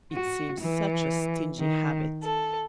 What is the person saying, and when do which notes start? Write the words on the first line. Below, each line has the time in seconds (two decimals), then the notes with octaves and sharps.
It seems such a stingy habit.
0.12 F#4
0.61 E3
1.59 D#3
2.21 A4